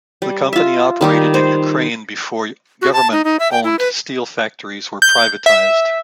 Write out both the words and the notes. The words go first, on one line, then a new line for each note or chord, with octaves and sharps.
The company operated in Ukraine before government-owned steel factories were privatized.
G3
F4 E5
D#3 G3 G4
C5
F#4
A5
D#4
D#4
E5
G5
E4
B4
G6
E5